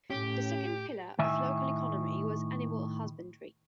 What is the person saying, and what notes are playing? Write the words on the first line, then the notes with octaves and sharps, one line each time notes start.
The second pillar of local economy was animal husbandry.
A2 C#4 G4
A2 D#3 E5 G#5